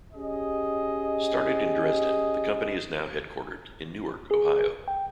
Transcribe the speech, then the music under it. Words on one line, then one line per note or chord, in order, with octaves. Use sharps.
Started in Dresden, the company is now headquartered in Newark, Ohio.
C#4 G4 G#4 D#5
G#4
G5